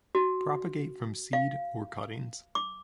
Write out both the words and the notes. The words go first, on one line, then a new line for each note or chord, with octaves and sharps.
Propagate from seed or cuttings.
F#4
F5
D6